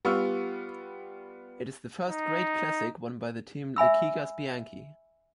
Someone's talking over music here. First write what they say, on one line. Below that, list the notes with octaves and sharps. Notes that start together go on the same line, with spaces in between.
It is the first great classic won by the team Liquigas-Bianchi.
G3 B3 F4 C#6 E6 F6
D#4
E5 G#5 B5 E6